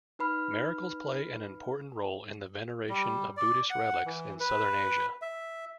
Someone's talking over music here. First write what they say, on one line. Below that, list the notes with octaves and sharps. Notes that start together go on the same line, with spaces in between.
Miracles play an important role in the veneration of Buddhist relics in Southern Asia.
D#4 B4 B5 F6
G3
D5
F#5
E3
B4
E5